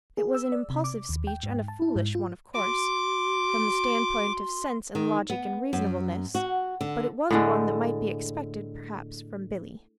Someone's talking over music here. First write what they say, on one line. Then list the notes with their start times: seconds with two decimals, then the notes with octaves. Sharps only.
It was an impulsive speech, and a foolish one, of course, from the standpoint of sense and logic and reasonableness; but it was one that might be expected, perhaps, from Billy.
0.17 G#4
0.34 E6
0.52 D5
0.70 C3
0.84 D6
1.09 D#2
1.27 G5
1.43 G#2
1.68 A5
1.82 E4
1.96 G#2
2.15 F4
2.54 F#4 C6 D6
4.95 D#3
5.30 B3
5.73 F#2
6.35 F#4
6.81 D3
7.31 A2 D3 G#3